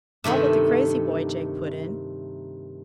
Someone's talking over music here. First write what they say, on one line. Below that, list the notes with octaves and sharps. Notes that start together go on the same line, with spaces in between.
"All but the crazy boy," Jake put in.
G2 C3 D#3 A3